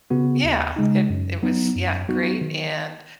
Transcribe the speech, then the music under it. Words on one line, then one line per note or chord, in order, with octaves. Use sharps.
Yeah, it it was yeah, great, and
C#3 B3 F#4
D#2
C#3 G#3 D#4
F#2
F#3 B3 D#4
F#2
F#3 B3 D#4 F#4
D#3